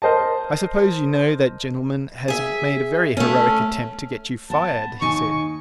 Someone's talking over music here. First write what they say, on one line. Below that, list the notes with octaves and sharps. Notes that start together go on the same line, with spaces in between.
"I suppose you know that gentleman has made a very heroic attempt to get you fired," he said.
A#4 C5 D#5 A5
G#4 E5
A3 C#4
B3 A5
D#2 D#4 G#5 C#6
C#6